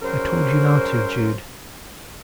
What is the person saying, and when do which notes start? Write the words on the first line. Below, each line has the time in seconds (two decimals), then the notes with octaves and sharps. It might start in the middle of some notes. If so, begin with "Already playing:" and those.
"I told you not to, Jude!"
0.02 C#3 F#3 A#4 C5